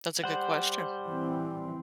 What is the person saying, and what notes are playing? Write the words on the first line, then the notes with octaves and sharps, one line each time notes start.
That's a good question.
G3 C5 F#5
E3 C4